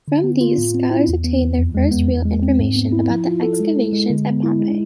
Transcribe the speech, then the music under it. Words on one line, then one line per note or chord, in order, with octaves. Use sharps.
From these, scholars obtained their first real information about the excavations at Pompeii.
D3
B3
F4
A2
C4
E4
E2
B3
E2
F2
G#3
B3
E2
G#3
C4
G#2
B3
E4
F3
F4
A4
G#3
E4
G#3
D3
B3
E4
G#3